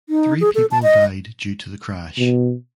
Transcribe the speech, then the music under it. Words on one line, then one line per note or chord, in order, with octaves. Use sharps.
Three people died due to the crash.
D#4
G#4
A4
A5
D#5
B2